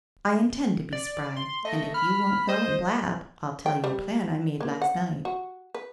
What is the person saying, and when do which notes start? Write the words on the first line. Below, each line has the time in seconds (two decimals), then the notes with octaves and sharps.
"I intend to be spry, and if you won't go and blab, I'll tell you a plan I made last night."
0.93 D5
1.37 C6
1.65 A3 D#5
1.94 B5 F6
2.49 C5 D#5
3.66 G5
3.84 G3
4.61 A#3
4.82 F#5
5.25 F#4
5.75 B4